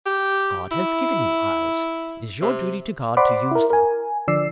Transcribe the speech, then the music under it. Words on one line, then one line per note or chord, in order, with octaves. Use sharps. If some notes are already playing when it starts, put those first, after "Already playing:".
God has given you eyes; it is your duty to God to use them.
G4
E4
C3
C5 D5 F#5 B5 C6 D6
E4 A#4
A#4 G#5
D3 F3 D5 E6 C7